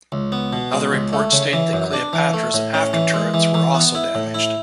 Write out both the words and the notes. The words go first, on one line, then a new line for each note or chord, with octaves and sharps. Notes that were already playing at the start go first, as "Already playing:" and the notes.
Other reports state that "Cleopatra's" after turrets were also damaged.
C#2
B3
B2
G#3
C#2
A3
C#3
E3
F#2
D4
E3
A3
A2
C#4
E3
G#3
E3
E3
B3
E4
A2
E4